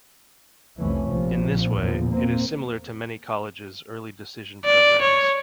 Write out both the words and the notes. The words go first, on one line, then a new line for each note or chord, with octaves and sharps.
In this way, it is similar to many colleges' early decision programs.
F1 C2 F2 E3 A3 C#4
A#1 C3 F3
E2 A#2 D3 F3
A#3 C4
D5
C#5